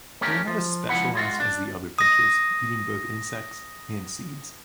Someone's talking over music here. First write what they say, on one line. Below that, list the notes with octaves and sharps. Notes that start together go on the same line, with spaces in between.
They are not as specialised as the other finches, eating both insects and seeds.
A3 C#4 G4 A#4
F3
C#2 F3 D#4 E4 F#5 B5
G#3 F4 F#4
D4
D#6 A#6